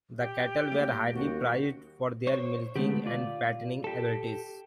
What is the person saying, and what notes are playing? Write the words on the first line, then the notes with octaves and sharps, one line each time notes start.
The cattle were highly prized for their milking and fattening abilities.
G4 G5
G3 A3 A#3
D#2 F#4
C5 C#5
D3 G#3 A3 B3 G4
F4 D5
G4 A4